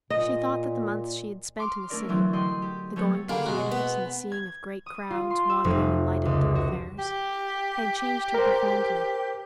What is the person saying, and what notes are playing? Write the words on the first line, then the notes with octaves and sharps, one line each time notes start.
She thought that the months she had spent in the city, the going to theaters and the seeing of great crowds wandering in lighted thoroughfares, had changed her profoundly.
A#2 D#5
C6 D6 F6
A3 C#4 D4 A#4 D5
D3 E3 F#3 C4
F#4 D5 D#5 G5 C6
G4
F#3 A3 B3 G4 A4 C#5
D3 G3 A#3 G#4
B2 G#3 F#4
B3
G#6
D#6
F4
C6
E6
F1
C#2
F#4
G4
A#4 C5